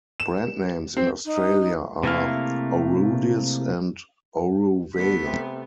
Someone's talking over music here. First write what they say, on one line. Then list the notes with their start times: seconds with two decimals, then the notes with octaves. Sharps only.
Brand names in Australia are Orudis and Oruvail.
0.20 E7
0.97 C4
1.25 D#4
2.03 C3 A3 A#3 E4 F5
4.95 D3 A3 B3 B6
5.23 C3